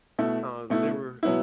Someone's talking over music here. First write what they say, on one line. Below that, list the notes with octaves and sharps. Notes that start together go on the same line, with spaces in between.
um, there were
B2 A3 E4
B2 A3 E4
B2 F#3 B3 E4